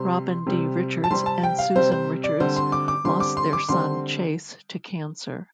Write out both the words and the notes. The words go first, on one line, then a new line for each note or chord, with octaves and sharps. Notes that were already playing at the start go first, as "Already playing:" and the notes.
Robin D. Richards and Susan Richards lost their son Chase to cancer.
Already playing: C3 G3 C4 C6
C3 G3 C4
A5
C3 G3 C4 C6
A5
G5
F5
C3 G3 C4 C5
C5
D5
D3 G3 C4 C5
C6
D6
D6
D3 G3 C4 C6
D6
C6
D6
D3 G3 C4 C6